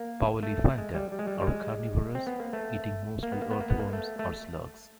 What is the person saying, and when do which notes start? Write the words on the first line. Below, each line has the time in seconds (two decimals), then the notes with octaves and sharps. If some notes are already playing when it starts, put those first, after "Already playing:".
"Powelliphanta" are carnivorous, eating mostly earthworms or slugs.
Already playing: A#3
0.43 A3
0.78 G#3
0.94 G3
1.12 G3
1.19 G#3
1.27 G3
1.40 G3
1.47 G#3
2.15 C4
2.27 B3
2.40 A#3
2.53 A3
3.23 A#3
3.32 B3
3.42 A#3
3.51 B3
3.61 A#3
3.70 B3
3.80 A#3
3.93 A3
4.19 A3